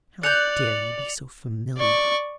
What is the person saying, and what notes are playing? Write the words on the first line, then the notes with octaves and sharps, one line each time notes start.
How dare you be so familiar!
D5 F#6 G6 C#7 F7 F#7
D5 C#6